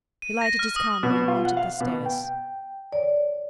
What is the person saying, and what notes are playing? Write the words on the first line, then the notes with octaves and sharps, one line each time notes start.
He lighted his candle and mounted the stairs.
D#7
A#6
F6
D#6
B2
F4
F#5
F5
B2
G5
C#5 D5